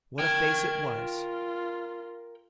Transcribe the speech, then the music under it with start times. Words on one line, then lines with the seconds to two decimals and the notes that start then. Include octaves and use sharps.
What a face it was!
0.19 A#4 G5 G#6
0.95 F4